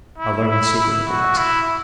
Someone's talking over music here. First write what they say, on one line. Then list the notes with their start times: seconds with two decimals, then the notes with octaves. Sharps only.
I learn the secret at last.
0.18 E4
0.48 E4
0.77 E4
1.08 F#4
1.37 E4